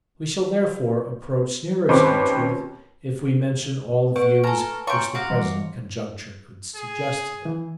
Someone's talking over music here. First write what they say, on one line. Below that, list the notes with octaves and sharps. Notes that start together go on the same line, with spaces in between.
We shall, therefore, approach nearer to the truth, if we mention all the views which the present conjuncture could suggest to them.
D#2 C4 C#4 B4 C6 D6
B4 F#5 C#6 D7
A4 G#5 A#5 F6
C#5 G5 A#5 C6 C#6
F#4 F5 D6
E3 G3
G#4
E3